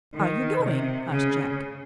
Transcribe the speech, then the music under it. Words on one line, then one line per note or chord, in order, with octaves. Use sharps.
"Are you going?" asked Jack.
D#3
C3
C#3